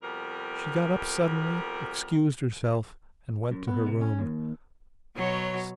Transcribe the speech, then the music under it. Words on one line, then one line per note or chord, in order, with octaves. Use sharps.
She got up suddenly, excused herself, and went to her room.
F2 B2 G3 A#4
F#2
B3
C3
C#4
D#2
B2 F#3 C#5